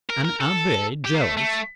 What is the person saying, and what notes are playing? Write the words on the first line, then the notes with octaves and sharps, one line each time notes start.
"An abbe jealous?"
A#4
A#4
A4
G4
A#3
A3
A3